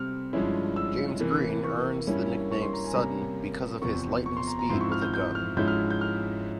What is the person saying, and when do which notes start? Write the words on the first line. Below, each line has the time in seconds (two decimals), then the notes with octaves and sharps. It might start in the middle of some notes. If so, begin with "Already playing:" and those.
James Green earns the nickname "Sudden" because of his lightning speed with a gun.
Already playing: C3 G3 C4 F6
0.33 G2 F3 G#3 C#4 E4
0.76 E6
1.20 C3 E3 A#3
1.64 C#6
2.07 G2 G3 A#3 C#4 E4
2.51 C#6
2.62 C6
2.73 A#5
2.84 G#5
2.94 C3 G3 A#3 C#4 A#5
3.82 E2 C3 F3 C4 C#6
4.26 C#6
4.37 C6
4.47 A#5
4.59 A#5
4.70 G#2 F3 C4 E4 C6
4.81 C#6
4.92 F6
5.02 G6
5.14 G6
5.35 F6
5.57 G#2 F3 G#3 C#4 E4 G6
5.68 F6
5.90 G6
6.01 F6